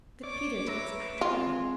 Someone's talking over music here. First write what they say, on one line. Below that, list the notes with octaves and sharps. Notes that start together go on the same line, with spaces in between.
'That Peter takes atropine.'
C#5 D5 D6
B4 E5 A#5
G#3 C4 F4